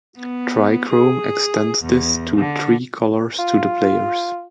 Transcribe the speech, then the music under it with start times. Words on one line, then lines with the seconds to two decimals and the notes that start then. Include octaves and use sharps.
Trichrome extends this to three colors to the players.
0.18 B3
0.89 G#4
1.82 E2
2.37 D3
3.39 F4